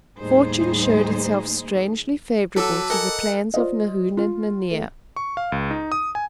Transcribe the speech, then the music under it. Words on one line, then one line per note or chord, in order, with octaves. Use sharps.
Fortune showed itself strangely favourable to the plans of Nahoon and Nanea.
D#2 A2 G3 D#4 G#4 C5
F#3 A4 B4 A5 D6 E6
A4 A#4 D#5 F#5 G#5
F4 C5 D5 D#5
F4
A3
C#6
F5
C#2
D#4
D#6
G#5